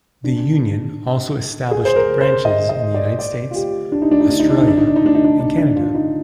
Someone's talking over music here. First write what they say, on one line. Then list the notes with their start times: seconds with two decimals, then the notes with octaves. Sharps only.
The union also established branches in the United States, Australia, and Canada.
0.24 D4
1.71 G#4
1.85 C5
1.96 A#4
2.21 C5
2.45 D#5
2.69 D#5
2.94 D5
3.19 D5
3.51 F4
3.55 G4
3.92 D4
4.02 D#4
4.11 D4
4.21 D#4
4.30 D4
4.40 D#4
4.49 D4
4.58 D#4
4.68 D4
4.77 D#4
4.87 D4
4.96 D#4
5.06 D4
5.15 D#4
5.24 D4
5.40 D4
5.58 D4
5.76 F4
5.88 F4
5.95 D#4